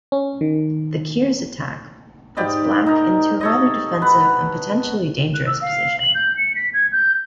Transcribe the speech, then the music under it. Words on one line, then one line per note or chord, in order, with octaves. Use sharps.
The Keres Attack puts Black into a rather defensive and potentially dangerous position.
C#4
D#3
G#2 G4 D5 D#5
D#4 A#4
A4 C#5 D#5
B4 F#5
F#6
E6
F5
F#7
G6
C#7
B6
G#6
G6